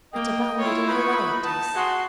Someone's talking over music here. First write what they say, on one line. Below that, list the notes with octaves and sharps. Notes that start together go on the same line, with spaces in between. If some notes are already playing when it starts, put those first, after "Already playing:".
It abounded in varieties.
A#3 D#5 G5
E4 F4 C#5
D#4 B4 B5 C#6
B3 A5
G#3 F#4 G#4 C6